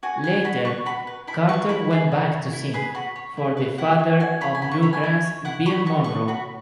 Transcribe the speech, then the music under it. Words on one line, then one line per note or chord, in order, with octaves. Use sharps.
Later, Carter went back to sing for the "Father of Bluegrass", Bill Monroe.
F#4 G#5
B4 G#5
F#4 B5
B4 C#6
F#4 B5
B4
E4 B5
B4 C#6
E4 B5
G#4 B4
F#4
C#5
E4
G#4 B4 B5
F#4 B5
C#5
E4
B4
E4 F#5
C#5
F#4 G#5
C#5 B5
G#5
F#4 B5
C#6
C#5 B5
G#5
E4
C#5
E4 F#5
C#5 B5
F#4 C#6
B4 C#6
F#4 B5